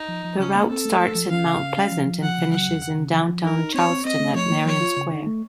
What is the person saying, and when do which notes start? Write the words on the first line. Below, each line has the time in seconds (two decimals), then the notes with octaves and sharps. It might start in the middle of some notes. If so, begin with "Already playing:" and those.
The route starts in Mount Pleasant and finishes in downtown Charleston at Marion Square.
Already playing: D#4
0.08 F3
0.24 F3
0.39 C#3 C#4
0.55 A#3
0.70 C4 A4
0.85 A3
1.00 A3
1.15 F3
1.30 C#4 F5
1.45 C#3
1.61 C#4
1.77 C#4
1.92 F3
2.06 F3
2.22 F3 F#5
2.38 C#3
2.52 F#3 F#5
2.68 F2
2.83 C#3
2.98 C#3
3.13 F3
3.29 F3
3.44 D#4 A#4
3.59 D#4
3.74 C4 C#5
3.90 C4
4.05 C4 D#5
4.20 A3
4.35 F3 C#5
4.51 A#3
4.65 F3 C#5
4.81 F4
4.96 C#3
5.11 D#4
5.27 A3